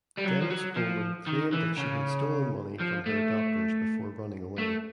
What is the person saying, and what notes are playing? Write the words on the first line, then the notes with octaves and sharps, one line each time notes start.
Dennis Bowman claimed that she had stolen money from her adopters before running away.
G3
F#3
F3
F#3
F3
D#3
E3
C#3
F3
A3
A3